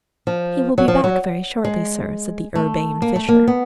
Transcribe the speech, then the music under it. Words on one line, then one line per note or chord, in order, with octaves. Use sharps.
"He will be back very shortly, sir," said the urbane Fisher.
F3
F#3
F3
F#3
G#3
A3
A#3
A3
A#3
B3